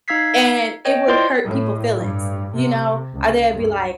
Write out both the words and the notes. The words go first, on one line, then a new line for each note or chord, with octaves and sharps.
and it would hurt people feelings, you know, or they’d be like,
D#4 F5 E6 G#6 B6 C7
C#5 D#5 G5
E4 F4 C5 D5 D#5 C6
A2
G2
C3
C#2
G2